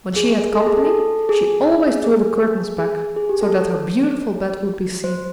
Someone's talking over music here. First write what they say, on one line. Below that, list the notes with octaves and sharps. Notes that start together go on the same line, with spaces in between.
When she had company, she always drew the curtains back so that her beautiful bed would be seen.
G#4
A4
G#4
A4
G#4
G#4
G#4
G#4
G4
A4
C#5
C5